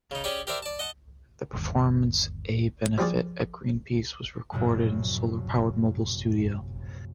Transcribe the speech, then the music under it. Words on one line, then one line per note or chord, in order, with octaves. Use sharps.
The performance-a benefit for Greenpeace-was recorded in a solar-powered mobile studio.
C#3 D#4
C#4 G4 G#4 C#5 D5
G4 A#4 C5 D5 E5
D5 A5
D#5 F#5 A5
G1 D#2
F3 G3 D#4 F4 G#4 D5
A#1 F#2 A2 C3 G#3